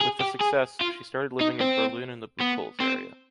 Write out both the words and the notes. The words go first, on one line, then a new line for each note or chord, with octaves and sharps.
With the success, she started living in Berlin in the Buchholz area.
G#4
G4
G#4
F4
D#4
C4
B3
C4